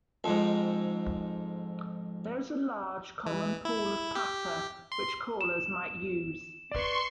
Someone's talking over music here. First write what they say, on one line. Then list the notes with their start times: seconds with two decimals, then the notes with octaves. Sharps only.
There is a large, common pool of patter which callers might use.
0.24 F2 G#2
3.26 E3
3.65 E4
4.15 G4
4.92 C6
5.41 E7
6.72 B4 D5 C6 C#6